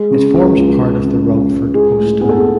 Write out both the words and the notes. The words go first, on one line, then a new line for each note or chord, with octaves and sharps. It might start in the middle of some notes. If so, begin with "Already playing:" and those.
It forms part of the Romford post town.
Already playing: G#3
C#3
C#2
C#2
G#3
C#3
C#2
C#2
G#3 G#4
A2
B3 G#4
A4
G#4